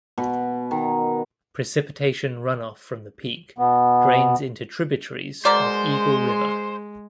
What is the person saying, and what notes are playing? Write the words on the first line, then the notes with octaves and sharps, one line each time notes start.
Precipitation runoff from the peak drains into tributaries of Eagle River.
B2
D#3
B2 B3
B2 G#3 A#4 C5 D5